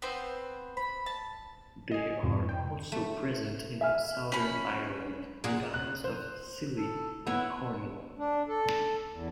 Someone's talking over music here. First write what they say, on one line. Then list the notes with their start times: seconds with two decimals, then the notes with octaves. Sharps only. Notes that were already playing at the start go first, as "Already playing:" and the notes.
They are also present in southern Ireland, the Isles of Scilly and Cornwall.
0.02 B3 C4 C5
0.77 B5
1.06 A5
1.91 D#5 G#5
2.23 F2 G#2 C3
2.49 G5
2.92 A3
3.81 E5 G#5 F6
4.32 C#4 B5
5.44 A#2 G#4 F#5
5.74 F#6
6.04 C5
6.77 A4
7.27 B3 E4 C#5
8.19 D4
8.48 A4
9.11 E2